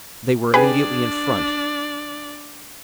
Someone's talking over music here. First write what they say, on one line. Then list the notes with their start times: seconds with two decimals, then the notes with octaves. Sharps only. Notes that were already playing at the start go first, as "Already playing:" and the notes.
They were immediately in front.
0.54 D4 G4 G#4 B4 D5 G#5